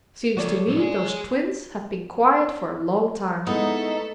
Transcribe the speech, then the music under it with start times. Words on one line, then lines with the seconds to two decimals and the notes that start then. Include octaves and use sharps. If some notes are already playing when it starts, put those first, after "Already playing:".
"Seems to me those Twins have been quiet for a long time."
0.37 F3 F#4 A4 C#5 D5
0.67 F2 A2
0.79 G#3 G#4
3.47 G#3 A3 B3 D#4 E4 A4